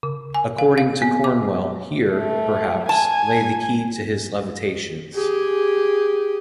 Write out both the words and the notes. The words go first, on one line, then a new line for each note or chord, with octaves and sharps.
According to Cornwell Here, perhaps, lay the key to his levitations.
C#3
G#5
F5
F5
B3
D6
A3
G#5 A5
G4 G#4